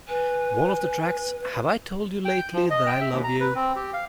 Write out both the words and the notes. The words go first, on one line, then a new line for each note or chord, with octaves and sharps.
One of the tracks, Have I Told You Lately That I Love You?
B4 G#5
G5
G6
F3
D#5
G5
E5
D#2
A#5
B4
C4
G4
F5